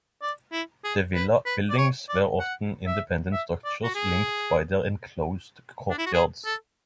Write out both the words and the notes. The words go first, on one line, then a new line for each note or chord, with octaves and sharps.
The villa buildings were often independent structures linked by their enclosed courtyards.
D5
E4
G#4
B4
B4
D5
C#5
D5
F#5
E5
E5
D5
F#4
G#4
D4
E4
F#4
G#4
A4